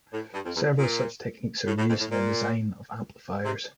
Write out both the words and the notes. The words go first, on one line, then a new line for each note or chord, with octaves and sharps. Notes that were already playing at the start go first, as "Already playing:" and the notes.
Several such techniques are used in the design of amplifiers.
A2
G2
F2
E2
A#2
A2
A2
F2
A2
A#2
C3